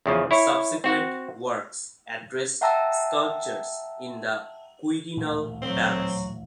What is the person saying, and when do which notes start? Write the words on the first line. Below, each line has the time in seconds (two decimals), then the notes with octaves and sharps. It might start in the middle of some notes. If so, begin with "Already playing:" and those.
Subsequent works addressed sculptures in the Quirinal Palace.
0.06 E2 C#3 F3
0.31 E4 C#5
0.84 C4 F#4 F#5
2.61 E5 F#5 G5 A5 A#5 E6
5.17 D#1 A1 D2
5.62 F#3 C4